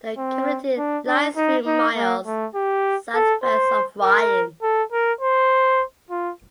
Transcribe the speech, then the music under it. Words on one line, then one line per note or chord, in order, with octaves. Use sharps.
The community lies three miles southwest of Ryan.
C4
D4
D4
D#4
D#4
A#3
A3
G4
A4
C5
A#4
A4
A#4
C5
F4